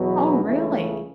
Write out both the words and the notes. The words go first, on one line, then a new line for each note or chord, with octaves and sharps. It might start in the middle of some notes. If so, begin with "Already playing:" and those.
Oh, really?
Already playing: E2 B2 F#3 B3
C#2 C#3 E3 A3